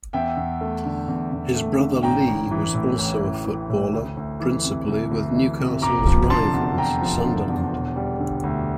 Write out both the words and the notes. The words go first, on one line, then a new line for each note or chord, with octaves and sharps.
His brother Lee was also a footballer, principally with Newcastle's rivals Sunderland.
E2 E5 G5
E2
A3
D3
E2
E2
A3
D3
A1 G5 A#5
A1
E3
A2
A1
A1
E3
A2
D2
D2
E3
C3
D2
D2
E3
C3
F1 A#5 D6
F3
D3 A5 C6
E2
F1 G5 A#5
F3
D3
E2
E1
G3
D3
D2